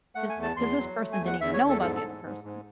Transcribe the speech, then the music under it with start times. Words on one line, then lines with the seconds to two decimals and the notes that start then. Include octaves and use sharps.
'cause 'cause this person didn't even know about the other person.
0.15 A3 F#5
0.29 G#5
0.36 E2
0.43 A5
0.57 E2 C6
0.77 F#3
0.99 A3
1.13 G#5
1.19 E2
1.27 F#5
1.40 E2 E5
1.54 C#5
1.62 E2
1.69 A4
1.82 G#2 A4
1.96 A4
2.02 G#2
2.24 G#2
2.44 G#2